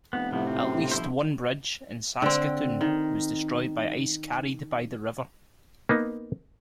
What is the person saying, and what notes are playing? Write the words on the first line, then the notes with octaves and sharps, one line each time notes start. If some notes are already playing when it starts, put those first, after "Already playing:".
At least one bridge in Saskatoon was destroyed by ice carried by the river.
F1 B3
A2 C3 F3 B3
C4
F#2
G1
F3 E4 C5
D3 C4
D#3
A#3 B3 D#4